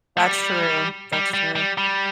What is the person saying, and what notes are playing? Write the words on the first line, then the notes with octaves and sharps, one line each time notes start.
That's true, that's true.
A3
G3
G3
G3
G3
G3